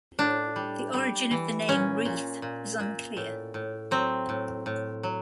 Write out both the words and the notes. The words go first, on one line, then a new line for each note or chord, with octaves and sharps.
The origin of the name "Reeth" is unclear.
A2 D4
G3
G3
E3
A#2 C#4
A#2
A#2
A#2
A2
A2
F#3 C4
A2
A2
F#3